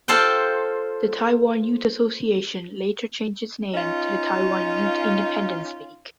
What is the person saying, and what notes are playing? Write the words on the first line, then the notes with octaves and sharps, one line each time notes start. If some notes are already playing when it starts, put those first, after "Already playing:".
The Taiwan Youth Association later changed its name to the Taiwan Youth Independence League.
F4 A4 C5 D5 G5
C#4 D#4 F4